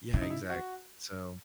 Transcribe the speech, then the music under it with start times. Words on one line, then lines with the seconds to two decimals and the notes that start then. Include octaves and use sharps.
Yeah. Exact so,
0.14 C#3 E4
0.22 D#4
0.30 E4
0.50 F#4